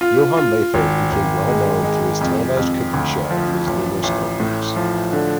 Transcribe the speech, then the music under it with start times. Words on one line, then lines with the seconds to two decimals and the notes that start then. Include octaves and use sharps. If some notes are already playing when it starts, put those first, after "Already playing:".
Johann Lafer became well-known through his televised cooking show and his numerous cookbooks.
0.01 F4
0.37 F4
0.74 G#1
1.11 G#1
1.48 G#3
1.84 G#3
2.21 F2
2.57 F2
2.94 D2
3.30 F3
3.67 A1
4.03 A1
4.40 A2
4.76 F3
5.13 D3